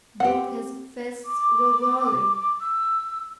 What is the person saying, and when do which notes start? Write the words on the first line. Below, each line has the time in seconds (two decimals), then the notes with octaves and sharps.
Both his fists were whirling.
0.20 C4 G4 F#5
1.25 D6
2.60 E6